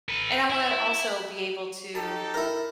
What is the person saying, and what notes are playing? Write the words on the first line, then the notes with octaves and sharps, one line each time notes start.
and I wanna also be able to,
A4 B4
E4 E5
D#4 G4 A4 A5
E4 A#4